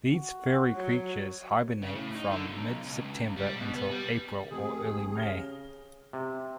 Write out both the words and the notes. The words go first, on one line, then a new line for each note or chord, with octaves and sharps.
These furry creatures hibernate from mid-September until April or early May.
F#4
F#3
C#3
A2
D#4
D3
B1
C#2
G3
B2
B3
G3
F1 F2 G4 G#4
C#3 F6 A#6 G7
C3